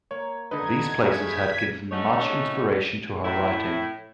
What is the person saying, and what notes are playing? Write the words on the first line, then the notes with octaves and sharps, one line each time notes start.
These places had given much inspiration to her writing.
A#3 C#5
D3 D#4 A4 B4 D#5 G#6
G2 A3 G#4 F#5 G#6 B6
A3 C#4 D#4 F#4 A4 C#5
A2 E4